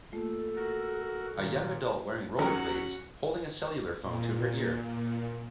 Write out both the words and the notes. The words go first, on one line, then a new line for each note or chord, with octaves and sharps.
A young adult wearing rollerblades, holding a cellular phone to her ear.
A3 A#3 F4 A4
F#4 A#4
A#2 D#3
F#3 C#4 D#4 F#4 G4 A#4
A#2